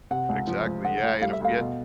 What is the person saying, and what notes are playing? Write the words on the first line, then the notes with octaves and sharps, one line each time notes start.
Exactly, yeah, and if we had
C3 F#5
C#2
F3
C#2
D3 F#5
D2
G3 F5
E5
D2 F5
B2